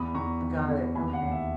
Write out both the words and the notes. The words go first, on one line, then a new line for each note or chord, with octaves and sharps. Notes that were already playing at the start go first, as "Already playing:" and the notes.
Got it, okay.
Already playing: E2 B5 D#6
E2 A#5 C#6
E2
E2
D#2 G#5 B5
F#5
D#2
E5